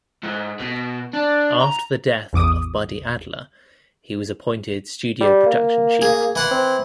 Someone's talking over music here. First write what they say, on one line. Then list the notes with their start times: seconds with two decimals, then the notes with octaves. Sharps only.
After the death of Buddy Adler he was appointed studio production chief.
0.24 G#2
0.60 B2
1.13 D4
1.61 A#5
2.33 A1 E2 D6 D#6
5.21 G3
5.46 A#3
6.02 G#4
6.35 E3 F#5 C6
6.51 C4